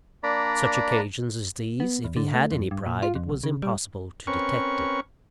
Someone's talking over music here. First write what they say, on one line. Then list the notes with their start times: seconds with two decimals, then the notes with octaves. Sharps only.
On such occasions as these, if he had any pride, it was impossible to detect it.
0.23 A#3 D4 D5 A#5 B5
1.80 B3
2.04 E2
2.16 D3
2.34 A3
2.51 F2
2.71 G2
2.86 A#2
3.03 F4
3.15 F2
3.29 B1
3.44 C#3
3.63 G3
4.27 C4 C#4 A#4 B4 C#6